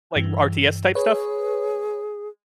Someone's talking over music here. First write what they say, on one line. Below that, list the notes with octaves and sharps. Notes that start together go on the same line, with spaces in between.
like, RTS type stuff?
G2 E3
G#4 B4 C#5